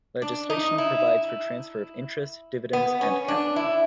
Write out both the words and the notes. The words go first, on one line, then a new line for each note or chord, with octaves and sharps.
Legislation provides for transfer of interest, dividends, and capital.
D4
D#4
E4
B3
C#4
D4
E4